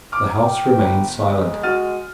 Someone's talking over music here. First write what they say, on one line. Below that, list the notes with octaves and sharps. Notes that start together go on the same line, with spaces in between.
The house remained silent.
D6 F6
G5
G1
G#3
F#4 F6 A6 D#7